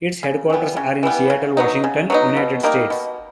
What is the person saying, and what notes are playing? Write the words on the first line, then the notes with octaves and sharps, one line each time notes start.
Its headquarters are in Seattle, Washington, United States.
C#3
E3 G3 B3
C#3
E3 G3 B3
C#3
F#3 B3 D#4
C#3
F#3 B3 D#4
B2
G3 A#3 D#4
B2